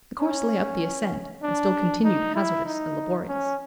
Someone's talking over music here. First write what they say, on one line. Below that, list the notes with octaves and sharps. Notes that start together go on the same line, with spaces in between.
The course lay up the ascent, and still continued hazardous and laborious.
C#4
D4
D#4
E4
D#4
C#4